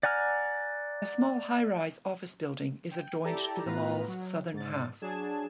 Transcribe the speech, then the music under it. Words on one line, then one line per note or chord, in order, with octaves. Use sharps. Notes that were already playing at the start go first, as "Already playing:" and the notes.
A small highrise office-building is adjoined to the mall's southern half.
D5 F#5 G#5 A#5 F6
G5
E4 G4 A4 D5 A5 A#5
A2 B3 F4 B4 A#5
F#3
G#2 A6
F#3 D4 G#4 A5 G#6 E7